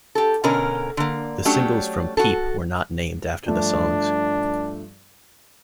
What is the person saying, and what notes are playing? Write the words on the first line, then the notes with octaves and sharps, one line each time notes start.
The singles from "Peep" were not named after the songs.
G4 A4
B2 D3 C#4 A#4
D3 A#3
F#3 A3 C#4 D4 G4
F#4 A4
G2 F3 A3 D4